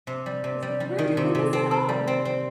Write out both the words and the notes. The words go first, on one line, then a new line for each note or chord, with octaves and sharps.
he was like "We're doing this at home."
C3
G3
C3
G3
G3
D#3
C3
C3
C4
C4
G3
C4
C4